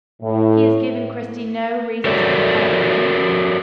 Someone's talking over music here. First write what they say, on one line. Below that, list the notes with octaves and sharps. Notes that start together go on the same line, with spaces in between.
He has given Cristy no reason to complain of him.
A2
F#4 A4 A#4 C#5 D5 E5